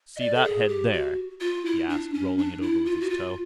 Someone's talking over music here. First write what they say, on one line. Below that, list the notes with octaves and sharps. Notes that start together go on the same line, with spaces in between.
"See that head, there?" he asked, rolling it over with his toe.
D#5
D5
A4
G#4
G4
F#4
F4
E4
D4
C#4
D4
E4
F4
F#4
F4